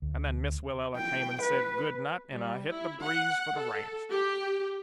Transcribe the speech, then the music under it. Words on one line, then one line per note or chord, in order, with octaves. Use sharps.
And then Miss Willella came and said 'Good-night,' and I hit the breeze for the ranch.
D2
G5
B4
G3
E4
F#5
A4
G4